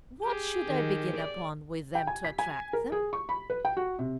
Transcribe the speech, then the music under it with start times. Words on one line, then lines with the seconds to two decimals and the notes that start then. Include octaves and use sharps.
What should I begin upon with them to attract them?
0.23 G4 G#4
0.66 D#3
1.17 D5
1.95 G5
2.07 G#5
2.25 B6
2.39 G#5
2.73 A#4
2.92 G#4
3.13 C#6
3.29 B5
3.50 B4
3.65 G5
3.77 F#4
3.99 C3